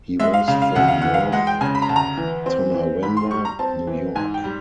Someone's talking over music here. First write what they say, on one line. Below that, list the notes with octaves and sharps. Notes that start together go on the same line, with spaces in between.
He was from North Tonawanda, New York.
G#3 E5
F5
C#3 F5
F5
D2 F#5
F5
E3 F#5
F5
G#3 F#5
G5
C#3 G#5
B5
A#5
D2 A5
A#5
E3
C4
E3
G#2 B5
C6
G3 C#6
A#5
C4 A5
E3
G#2 G#5
G5
G3